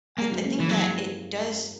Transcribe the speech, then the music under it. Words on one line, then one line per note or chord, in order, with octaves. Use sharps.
I I think that it does
G#3 A#3
F#3 A#3
A#3 C#4
E3 C#4 E4
F#3 E4 G#4